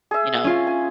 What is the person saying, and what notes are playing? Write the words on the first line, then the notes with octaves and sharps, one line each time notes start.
you know,
G#4 E5
C#4 F4
G#5